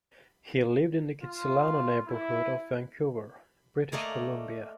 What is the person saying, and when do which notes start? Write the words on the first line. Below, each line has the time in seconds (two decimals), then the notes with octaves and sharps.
He lived in the Kitsilano neighborhood of Vancouver, British Columbia.
1.23 F4
2.06 E4
3.92 A3 A#3 A#4 D5 D#5 G#5